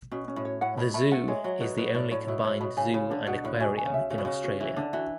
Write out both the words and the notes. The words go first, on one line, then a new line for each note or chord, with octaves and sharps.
The Zoo is the only combined zoo and aquarium in Australia.
B2 C#4
C#4
A2
C#5
A2 F#5
B2 B5
A3 B5
A3 F#5
G#3 C#5
F#3 C#5
B2 B4
B2 B4
A2 D5
A2 C#5
B2 E4
A2 C#5
B2 B5
C#3 G#5
C#3 B5
D3 D4
B2 F#5
A2 F#4
B2 G#5
G#5
C#3
E5
C#3 F#4
B2
C#3 F#4
F#4
E3 F#4
D3 D4
E3 F#4